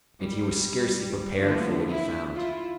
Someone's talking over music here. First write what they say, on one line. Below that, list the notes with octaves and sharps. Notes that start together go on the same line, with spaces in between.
Yet he was scarcely prepared for what he found.
G3
D3 F3 A3 A#3 E4
E4
E4 F4